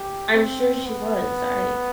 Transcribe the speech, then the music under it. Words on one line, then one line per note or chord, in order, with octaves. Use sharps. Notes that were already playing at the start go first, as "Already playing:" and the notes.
I'm sure she was. I
Already playing: G4
C4
B3